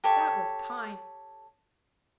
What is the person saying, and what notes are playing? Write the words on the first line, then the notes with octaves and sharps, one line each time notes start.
That was kind.
G4 A4 C#5